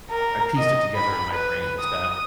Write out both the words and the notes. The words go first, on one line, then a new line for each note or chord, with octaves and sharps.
I pieced it together in my brain is that,
A#4
D#5
B5
B4
D#6